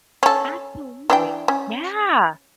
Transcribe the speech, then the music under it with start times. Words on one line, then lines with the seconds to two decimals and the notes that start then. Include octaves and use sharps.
Absolutely, yeah.
0.23 C#4 A4
1.10 E3 D4 G5
1.48 C#4